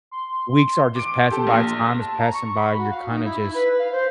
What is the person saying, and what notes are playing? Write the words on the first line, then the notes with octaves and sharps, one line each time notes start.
weeks are just passing by, time is passing by, you're kinda just
C6
D6 D7
G4 A4
A#1
A5
A#5
C#6
B5
F#4
F5
D#4
E4
E4
B4
F5
C5